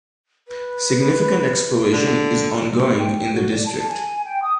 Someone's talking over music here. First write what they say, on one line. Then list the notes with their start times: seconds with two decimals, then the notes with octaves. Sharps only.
Significant exploration is ongoing in the district.
0.48 B4
1.92 D3
2.79 B4
2.98 G5
3.32 F#4
3.52 D5
3.65 A5
3.88 G#5
4.25 G5
4.43 D#6